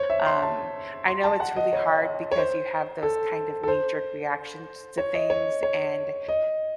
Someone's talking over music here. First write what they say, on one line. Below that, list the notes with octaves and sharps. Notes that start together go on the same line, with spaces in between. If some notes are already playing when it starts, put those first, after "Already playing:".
um, I know it's really hard because you have those kind of knee-jerk reactions to things, and,
Already playing: C5 C#5
E5
C6
A5
C6
A5
F#5
D#5
C#5
C#5
C5
A4
A4
C5
C#5
D#5
C#5
C#5
D#5